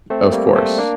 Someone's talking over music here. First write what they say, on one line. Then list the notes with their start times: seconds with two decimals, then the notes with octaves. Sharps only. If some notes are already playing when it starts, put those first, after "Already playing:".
Of course.
0.10 A3 C4
0.32 G3 A#3
0.55 A3 C4
0.78 A#3 D4